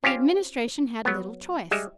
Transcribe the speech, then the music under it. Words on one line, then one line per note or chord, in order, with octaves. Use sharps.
The Administration had little choice.
C4 C#4 F4 G4 F5
F#3 B3
G3 G#3 E5